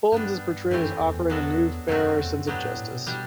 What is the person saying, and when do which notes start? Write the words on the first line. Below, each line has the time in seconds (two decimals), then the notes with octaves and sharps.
Holmes is portrayed as offering a new, fairer sense of justice.
0.12 G2 G3 B3 D4
0.71 F#2 A2 E3 A3 C4 G4
1.01 E2
1.30 F#3 B3 D4 F#4 A4
1.88 F#2 C3 F#3 A3 C4 F#4
2.03 F#2
2.19 E2
2.33 F#2
2.47 G2 F#3 B3 D4 G4
2.62 A2
2.77 A2
2.92 B2
3.06 B2 G3 D4 G4